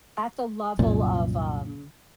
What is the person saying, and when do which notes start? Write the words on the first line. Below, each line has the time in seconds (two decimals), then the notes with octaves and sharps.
At the level of, um,
0.79 C2 F#2 A#2